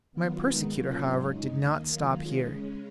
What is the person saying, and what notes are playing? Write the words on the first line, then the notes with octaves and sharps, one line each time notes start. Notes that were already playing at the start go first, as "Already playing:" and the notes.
My persecutor, however, did not stop here.
D#3 F#3 B3 F4
G#2 D#3 G#3 B3 D#4
B2 F#3 A#3 C#4 F4
G#2 F#3 C#4 F4
F#2 C#3 G#3 D#4
D#2 D#3 A#3 D#4
D#3 F#3 A#3 F4
D#3 G#3 C#4 F4
C#3 G#3 C#4